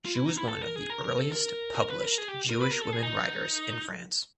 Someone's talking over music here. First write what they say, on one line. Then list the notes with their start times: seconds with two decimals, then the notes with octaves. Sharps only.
She was one of the earliest published Jewish women writers in France.
0.05 F4
0.15 E4
0.26 D#4
0.37 E4
0.48 A4
0.62 A#4
0.76 G#4
0.90 A#4
1.04 A#4
1.19 A4
1.32 A#4
1.75 A#4
1.90 B4
2.04 A#4
2.18 G#4
2.28 G4
2.50 A#4
2.61 B4
2.71 A#4
2.82 A4
2.93 G#4
3.03 D#4